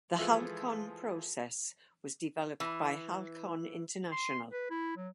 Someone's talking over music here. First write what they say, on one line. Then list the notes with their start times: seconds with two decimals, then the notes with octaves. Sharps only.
The Halcon process was developed by Halcon International.
0.18 E3 F3 G#3 F4 A4 E5
2.60 E3
4.12 C6
4.51 B4
4.70 E4
4.97 F#3